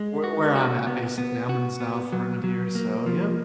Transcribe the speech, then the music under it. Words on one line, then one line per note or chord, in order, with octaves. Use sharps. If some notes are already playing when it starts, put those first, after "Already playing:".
where where I'm at, basically, I'm in the South around here, so yep.
Already playing: G#3
F#4
F#4
B3
B3
F#4
B3
F#3
F#3
A#3
F3